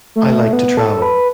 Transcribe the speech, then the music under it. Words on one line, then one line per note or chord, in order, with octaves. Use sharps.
I like to travel.
A3
B3
A4
B4